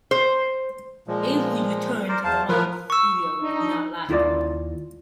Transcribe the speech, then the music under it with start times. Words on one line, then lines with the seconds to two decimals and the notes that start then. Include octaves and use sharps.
Avery's return to the Lantz studio did not last long.
0.11 C5
1.07 A#2 F3 G#3
2.09 A#4 C5 D5
2.24 E2 C5 F5 A5
2.49 A2 F3 A#4 B4
2.90 C#6 E6
3.40 D4 D#4
4.09 D#2 E4 F4 A#4 D5